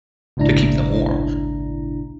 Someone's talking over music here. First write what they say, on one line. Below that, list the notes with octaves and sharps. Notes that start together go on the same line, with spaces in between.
to keep them warm.
G#1 C#2 A#2 D4 E4 A#5